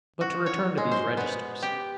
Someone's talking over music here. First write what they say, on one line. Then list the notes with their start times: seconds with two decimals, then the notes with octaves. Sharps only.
"But to return to these registers."
0.21 F#4
0.46 C#5
0.78 G#3
0.92 C5
1.17 B3
1.62 G4